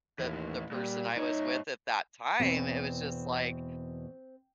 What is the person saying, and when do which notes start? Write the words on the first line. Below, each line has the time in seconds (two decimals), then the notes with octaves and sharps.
the the person I was with at that time, it was just like,
0.19 D#2 A2 E3
0.72 A#2 G3
1.16 G#2 D#4 C#5
2.40 E2 B2 C4